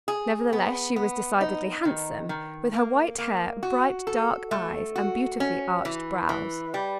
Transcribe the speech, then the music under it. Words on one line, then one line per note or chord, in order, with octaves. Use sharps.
Nevertheless, she was decidedly handsome, with her white hair, bright, dark eyes, and beautifully arched brows.
G#4
B3
B3
D#4
D#3
D#3
A#3
A#3
F#4
A4
A3
F#4
C#4
E3
E3
G3